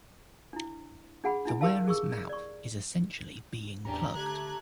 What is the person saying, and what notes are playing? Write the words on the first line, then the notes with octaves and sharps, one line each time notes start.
The wearer's mouth is essentially being plugged.
D4 E4
D4 G#4 F#5 G#5 B5
D4 E4 G#5
G4 A#4 E5 F5 A5
G#4 C#6 E6
D5 C#6
E2 A2 C#4 D4 G4 A#5
D3 A3 G4 F#6 G#6